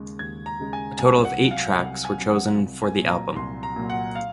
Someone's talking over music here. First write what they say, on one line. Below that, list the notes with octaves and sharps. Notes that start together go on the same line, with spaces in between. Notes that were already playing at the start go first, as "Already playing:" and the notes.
A total of eight tracks were chosen for the album.
Already playing: D#2 C#3 G#3
D#2 G#6
A#5
C#3 G#3
G#5
C2 G#5
F#5
C3 F#3
F5
C2 F#5
G#5
C3 F#3
F#5
C2
G#5
A#2 F#3
A#5
C2 C6
A#5
A#2 F#3
F#5
F5